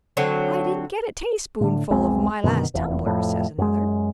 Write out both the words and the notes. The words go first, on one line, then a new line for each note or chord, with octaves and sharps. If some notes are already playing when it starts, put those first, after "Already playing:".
"I didn't get a tayspoonful of my last tumbler," says another.
D3 F#3 C4
A2 D3
E1 B1 G#3 C4
F#2 B2 D3 D#3
F1 E2
F2 A2
F#2 G#3